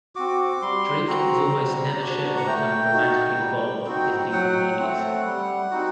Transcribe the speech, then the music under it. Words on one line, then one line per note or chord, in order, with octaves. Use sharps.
Drake is almost never shown becoming romantically involved with his leading ladies.
C4 F#4 D6
G3 C6
C4 F#4 A#5
G3
D4 F#4
F#5
A3 G5
D#4 F#4
G3
C4 D#4 F#4
F#3 F#5
A3 C4
G3
C4 D#4 F#4